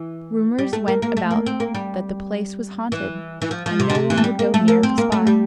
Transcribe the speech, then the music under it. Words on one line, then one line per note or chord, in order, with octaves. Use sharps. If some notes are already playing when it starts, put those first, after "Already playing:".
Rumours went about that the place was haunted, and no one would go near the spot.
Already playing: E3
G3
A3
A#3
A#3
A3
A#3
C4
A#3
G3
E3
E3
F3
F3
C3
D3
C3
E3
A3
G3
A#3
A3
A#3
C4
A#3
A3
G3